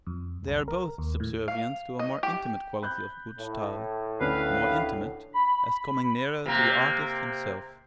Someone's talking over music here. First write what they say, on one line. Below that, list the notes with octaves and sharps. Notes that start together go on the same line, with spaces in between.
They are both subservient to a more intimate quality of good style: more intimate, as coming nearer to the artist himself.
F2
C2
A#4
D#2
A2
F5
D#5
G4
B5 F#6 G6
A2
D2 C#4 D4 B4 F5
B5
C3 A#3